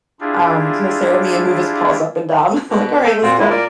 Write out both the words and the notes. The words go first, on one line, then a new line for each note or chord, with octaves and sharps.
Um, he'll stare at me and move his paws up and down. I'm like, "Alright, let's go."
D4 E4 F4 G4 G#4
B2
A3
A#2 C4 F4 F#4
A#2 G#3 E4
A#4 D5